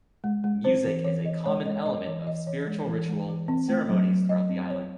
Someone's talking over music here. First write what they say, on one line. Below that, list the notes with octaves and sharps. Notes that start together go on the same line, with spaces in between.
Music is a common element of spiritual ritual and ceremonies throughout the island.
G#3
G#3
C4 C5
E3
E3 C#5
E3 D#5
G#3 C#5
G#3 D#5
G#3 D#5
E3 C#5
E3 D#5
E3 C#5
G#3
E3
G#3
E3
C4
A3
F#3
F#3
F#3 D#5
C4
C4 C#5